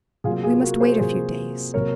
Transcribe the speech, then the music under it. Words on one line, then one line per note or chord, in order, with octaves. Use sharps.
We must wait a few days.
C3 F#3 A#3 F4 G#4
F4 G#4
G#4
F#4 A#4
G#4 C5
C3 F#3 A#3 G#4 C5
C3 F#3 A#3 A#4 C#5